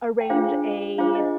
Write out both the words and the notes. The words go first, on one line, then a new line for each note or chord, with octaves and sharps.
arrange a,
G5
D4 F4 G#4 C5 F5
D4 F4 G#4 C5 F5
D#5